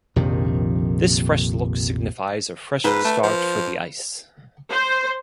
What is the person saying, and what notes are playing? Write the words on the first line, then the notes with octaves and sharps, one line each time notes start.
This fresh look signifies a fresh start for the Ice.
A#1 F2 C3 D#3
G#2 B4
A3
F3
C5